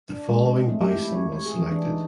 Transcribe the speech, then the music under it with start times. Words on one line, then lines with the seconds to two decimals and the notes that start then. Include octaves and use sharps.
The following Bison was selected.
0.09 D4
0.28 G#3
0.45 C4
0.69 A3
0.81 G4
0.95 E4
1.12 C#5
1.32 C#5
1.46 G#4
1.59 E3
1.71 D4
1.85 D#4